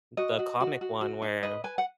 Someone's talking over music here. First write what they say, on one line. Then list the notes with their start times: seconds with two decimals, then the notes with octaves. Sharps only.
the comic one where,
0.17 F#4 D#5
0.39 F#4
0.60 F#4
0.81 F#4
1.01 F#4
1.22 D#4
1.43 B4 D#5
1.64 B4 G#5
1.78 F#5